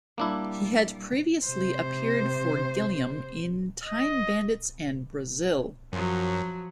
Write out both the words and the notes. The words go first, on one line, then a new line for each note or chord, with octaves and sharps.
He had previously appeared for Gilliam in "Time Bandits" and "Brazil".
G3 A#3 D4 E4
C3 C5
D#5
F#2 F3 F#3